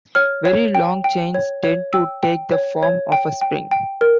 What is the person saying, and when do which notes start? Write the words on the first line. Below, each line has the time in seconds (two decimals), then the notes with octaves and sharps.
Very long chains tend to take the form of a spring.
0.15 C#5 F6
0.45 C#5
0.75 G5
1.04 G5
1.34 C#5
1.64 C#5
1.93 G5 E6
2.23 G5
2.52 C#5
2.83 C#5
3.12 G5
3.41 G5
3.71 G5
4.01 A#4